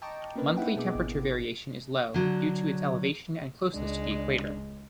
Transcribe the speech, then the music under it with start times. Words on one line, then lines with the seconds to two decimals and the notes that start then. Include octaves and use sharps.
Monthly temperature variation is low, due to its elevation and closeness to the equator.
0.02 D#5 G5 A5 A#5 C#6 D6
0.36 A#3 C#4 D4 A#4 B4
0.56 D#4 E4 E5 F#5 G5
0.76 B2 B3 G#4 D#5 D6
0.95 G#1
2.14 D3 F#3
3.73 C#2 G#3 D4